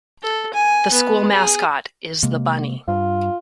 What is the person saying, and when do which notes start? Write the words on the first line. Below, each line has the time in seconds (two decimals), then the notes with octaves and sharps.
The school mascot is the Bunny.
0.23 A4
0.54 G#5
0.92 B3
1.32 G#4
2.23 C3 G#3 A#3
2.88 G2 F4